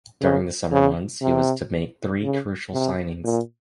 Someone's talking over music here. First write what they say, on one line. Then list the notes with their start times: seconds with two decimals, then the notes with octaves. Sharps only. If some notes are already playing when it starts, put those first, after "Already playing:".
During the summer months he was to make three crucial signings.
0.21 C#3
0.72 C#3
1.22 C3
2.24 C#3
2.73 C3
3.24 A#2